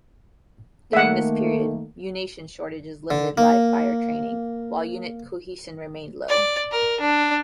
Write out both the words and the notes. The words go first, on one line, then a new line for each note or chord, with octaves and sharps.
During this period, munition shortages limited live fire training, while unit cohesion remained low.
D#3 A3 A#3 E5 F#5
D3
A#3
D5
A#4
D4